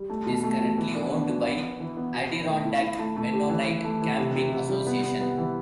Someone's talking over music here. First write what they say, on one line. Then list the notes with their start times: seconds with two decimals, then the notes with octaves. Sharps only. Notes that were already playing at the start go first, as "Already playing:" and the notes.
It is currently owned by Adirondack Mennonite Camping Association.
Already playing: G3
0.09 A3
0.26 B2
0.43 A3
0.60 B2
0.78 E3
0.94 D4
1.12 B3
1.29 F#4
1.46 B3
1.63 B3
1.80 E3
1.97 B3
2.14 B2
2.31 E4
2.47 A3
2.65 E4
2.82 E4
2.99 A3
3.16 A3
3.33 G4
3.50 E3
3.67 E3
3.84 A3
4.02 E3
4.18 C3
4.35 C3
4.52 C3
4.69 G3
4.87 B3
5.03 B3
5.21 B3
5.38 E3